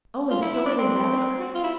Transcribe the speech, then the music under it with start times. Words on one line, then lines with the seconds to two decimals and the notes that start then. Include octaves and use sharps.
"Oh, is it so late as that?" I cried.
0.30 F4
0.42 E4
0.54 E4
0.66 D4
0.78 C4
1.55 F4
1.64 E4